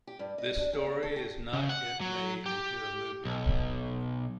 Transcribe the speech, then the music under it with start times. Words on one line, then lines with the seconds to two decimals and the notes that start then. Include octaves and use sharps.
This story is not yet made into a movie.
0.07 G4
0.19 G2
0.38 D#5
0.58 D4
0.73 G4
0.86 B3
1.03 A4
1.16 G4
1.53 C#3
1.69 F#5
2.01 F#3
2.46 G4
3.25 B1